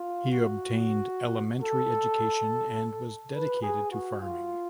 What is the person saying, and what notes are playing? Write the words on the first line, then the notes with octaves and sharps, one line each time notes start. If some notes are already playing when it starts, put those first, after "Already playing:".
He obtained elementary education and was dedicated to farming.
Already playing: F4
F#4
A4
B4
G#4
F#4
F4